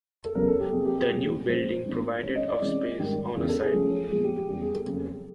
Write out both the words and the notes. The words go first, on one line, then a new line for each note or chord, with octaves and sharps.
The new building provided of space, on a site.
A4
E2 C#3 F#3 A#4
A4
G4
C3 F3 A#3 G#4
G4
G#4
A#2 F#3 A3 G#4
F#4
A#2 F3 G#3 C#4 C5
A2 E3 G#3 B3 D4
D#3 G#3 C#4 C#5
D#5
D5
C3 E3 G#3 C#4
G#2 D#3 G3
E2 C#3 E3
A4
G#4
C#3 F3 A3 C#4
A#2 F3 G#3 B3 G#4
G4
G4
E2 C#3 E3 G3 G4
G#4
A4
F2 C#3 F#3 A#3